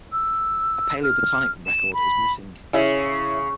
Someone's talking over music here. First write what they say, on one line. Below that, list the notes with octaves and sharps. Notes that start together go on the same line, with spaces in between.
A Paleobotanic record is missing.
E6
F6
E7
B5
C#3 C#4 E4